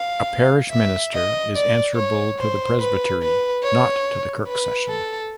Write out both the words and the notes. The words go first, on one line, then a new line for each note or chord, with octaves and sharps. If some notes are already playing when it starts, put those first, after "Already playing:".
A parish minister is answerable to the Presbytery, not to the Kirk Session.
Already playing: F5
E5
D#5
D5
C#5
C5
B4
B4
C#5
B4
A4